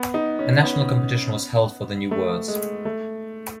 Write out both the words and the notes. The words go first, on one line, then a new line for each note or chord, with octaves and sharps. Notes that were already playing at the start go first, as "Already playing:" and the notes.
A national competition was held for the new words.
Already playing: B3
D#4
C#4
C#4
B3
A3
G#3
A3